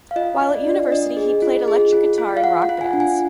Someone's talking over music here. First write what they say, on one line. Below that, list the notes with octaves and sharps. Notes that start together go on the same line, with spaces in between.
While at university he played electric guitar in rock bands.
F5
F4 D#5
F4
D5
D4
D4 D#5
G#4
F4
G#4
F4
F4
F5
F4 F#5
F#5
F4
G#5
D4
G#5